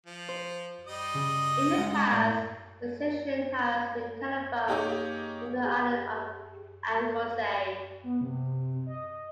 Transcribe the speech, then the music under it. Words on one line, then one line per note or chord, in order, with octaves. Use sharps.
In the past, the station has been telephoned from the island of Anglesey.
F3
C5
G3 D#5 D#6
C#3
G#3 C#4 F#5
A2 D5
A#3 D#4 G4 G#4 C#5
G4 G#4
B3
C3
D#5